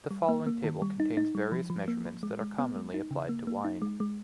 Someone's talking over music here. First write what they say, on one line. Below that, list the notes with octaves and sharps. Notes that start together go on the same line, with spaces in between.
The following table contains various measurements that are commonly applied to wine.
G3
A#3
A#3
D#3
G3
D#4
D#4
G3
F3
F3
A#3
F3
G#3
G#3
B3
G#3
D#4
C#3
A#3
A#3
D#4
G#3
G#3